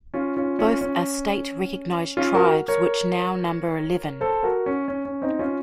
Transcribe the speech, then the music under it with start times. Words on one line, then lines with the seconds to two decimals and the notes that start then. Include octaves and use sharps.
Both are state-recognized tribes, which now number eleven.
0.14 C#4 F4
0.37 C#4 F4
0.59 C#4 F4
0.81 C#4
2.17 C#4 F4
2.35 F#4 A#4
2.68 A#4 C#5
4.21 A4 C5
4.43 F#4 A#4
4.66 C#4
4.88 C#4
5.05 C#4
5.22 C4 D#4
5.39 C#4 F4